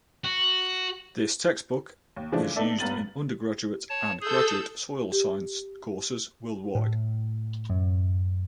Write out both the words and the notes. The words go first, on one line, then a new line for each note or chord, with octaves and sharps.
This textbook is used in undergraduate and graduate soil science courses worldwide.
F#4
D#2
C#3 E3 F3 G#3 A3 D4
B3 D#4 A4 D5 E5
G2 B3 A#5 A6 D#7 F#7
C#5 A5
G#4 A4 E6 G6
G4
A2
F#2